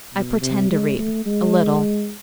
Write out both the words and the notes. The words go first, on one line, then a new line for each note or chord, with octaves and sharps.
I pretend to read--a little.
B2
C3
G#3
A3
G#3